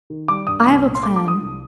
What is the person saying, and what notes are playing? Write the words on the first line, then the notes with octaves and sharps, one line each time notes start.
I have a plan.
D#3
G3 D6
G2 D#6
C2
A#2
C6
A3 D6
D6
D4
D#6
C2